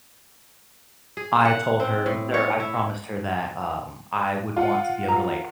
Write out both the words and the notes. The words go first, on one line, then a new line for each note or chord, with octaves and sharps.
I told her there, I promised her that, um, I would want to be able to, like
G#4
F#5
C4
A2
C#5
E4
F4 F#5
A#5